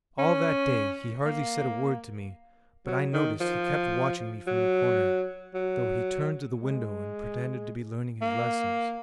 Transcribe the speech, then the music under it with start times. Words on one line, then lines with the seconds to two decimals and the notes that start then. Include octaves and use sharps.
All that day he hardly said a word to me, but I noticed he kept watching me from the corner, though he turned to the window and pretended to be learning his lessons.
0.18 C#4
1.25 A#3
2.87 F#3
3.13 D#3
3.40 F3
4.47 F#3
5.54 F#3
6.61 G#3
8.22 A#3